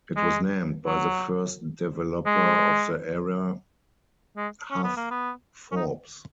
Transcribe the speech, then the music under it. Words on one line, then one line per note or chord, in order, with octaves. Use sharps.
It was named by the first developer of the area, Hugh Forbes.
G#3
F#3
G#3
G#3
C#4
B3
A#3
B3
C#4
D#4